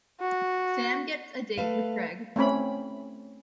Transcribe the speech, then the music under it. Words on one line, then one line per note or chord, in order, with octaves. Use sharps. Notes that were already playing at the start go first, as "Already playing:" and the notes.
Sam gets a date with Greg.
F#4
A3 B4 F5
A3 C4 C#4 B5